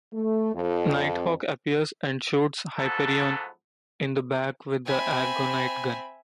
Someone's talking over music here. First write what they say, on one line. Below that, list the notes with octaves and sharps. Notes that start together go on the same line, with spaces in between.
Nighthawk appears and shoots Hyperion in the back with the Argonite gun.
A3
F2
G#2 F3 F#3 B3 A4
C4 E5 G#5 B5